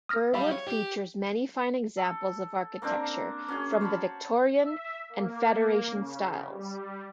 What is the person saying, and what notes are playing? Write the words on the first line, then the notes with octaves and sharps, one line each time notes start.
Burwood features many fine examples of architecture from the Victorian and Federation styles.
D#6 F6 A#6
G4 D5 E5 F5 B5
C#5
G4
A4
A#3 C4 D4 A#4
C#4 F#4 G#4
C5 C#5 A5 B5
E5
A#3
C#3
G3